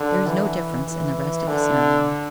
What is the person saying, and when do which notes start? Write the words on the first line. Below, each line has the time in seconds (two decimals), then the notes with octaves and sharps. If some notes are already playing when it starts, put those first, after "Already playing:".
There is no difference in the rest of the ceremony.
Already playing: D3
0.26 E3
0.87 E3
1.47 D3